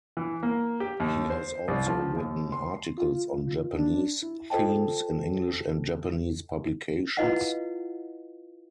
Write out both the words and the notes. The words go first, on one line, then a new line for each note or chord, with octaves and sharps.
He has also written articles on Japanese themes in English and Japanese publications.
E3
A#3
G4
D#2
C5
C2
F3
D#2
C6
F4
D4
E4
F4 A4 C5 D#5 G5 A5
E4 F4 B4 D#5 F5 F#5